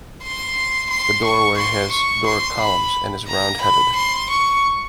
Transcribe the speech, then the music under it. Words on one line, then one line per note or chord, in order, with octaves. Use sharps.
The doorway has Doric columns and is round-headed.
C6
C6
C#6
C6
C#6
C6
B5
A#5
B5
C6
C#6